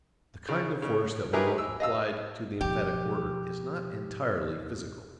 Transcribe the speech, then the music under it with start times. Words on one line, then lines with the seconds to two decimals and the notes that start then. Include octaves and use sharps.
The kind of force that we want applied to the emphatic word is not entirely physical.
0.49 C#3
0.82 C#3
1.33 F#3 E4 G4 G#4 A#4 B4
1.58 E6
1.80 D#5 F5 E6
2.61 B2 F3 G4